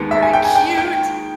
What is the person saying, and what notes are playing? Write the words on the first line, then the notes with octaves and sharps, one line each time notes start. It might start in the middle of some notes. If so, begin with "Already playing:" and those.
very cute.
Already playing: D#2 D#3 G#3 B3
E5
G#5
G5
G#5
G5
G5